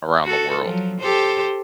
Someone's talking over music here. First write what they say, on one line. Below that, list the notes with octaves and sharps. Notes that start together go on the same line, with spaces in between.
around the world.
F#4 A4
F3 F#3
G4 A4 C5